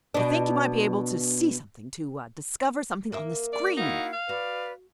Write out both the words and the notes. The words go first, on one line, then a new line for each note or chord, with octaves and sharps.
"You think you might be able to see something, to discover something on the screen?"
B2 D4
A#3 E5
D5
D#4 E4 F#4 F5
F5
F#4 B4 D5